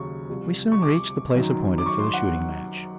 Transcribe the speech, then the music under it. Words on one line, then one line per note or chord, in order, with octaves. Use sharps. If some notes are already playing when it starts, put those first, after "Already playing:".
We soon reached the place appointed for the shooting-match.
Already playing: D#2 C#3 F#3 C#6
C2 C3 F3
C#6
D6
F#2 D#3 F#3
D6
C#6
C6
F#5